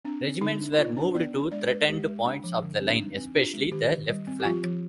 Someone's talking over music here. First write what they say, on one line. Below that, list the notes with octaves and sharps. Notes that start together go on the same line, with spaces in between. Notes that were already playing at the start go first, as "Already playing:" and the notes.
Regiments were moved to threatened points of the line, especially the left flank.
C4 D4
C4
D3 D#4
D4
D#4
B3 F4
D4
B3 D5
D4
G#3 D5
G#3 B4
G#3 G4
G#3
D4
F3
D3
C4
D4
C4 D#4
C4
D4 F4
G#3
D#3 G4
D#3
G3
C4
G4
F3 F4
F3